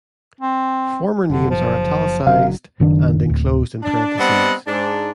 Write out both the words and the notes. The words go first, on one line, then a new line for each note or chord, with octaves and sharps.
Former names are "italicized" and enclosed in parentheses.
C4
F#1 D3
F3
F#1 F#2 D3 F#3 F5
F#1 D#3 D4
D1
D4
G3 B3 C4 D4 D#5 F#5
G#2 D4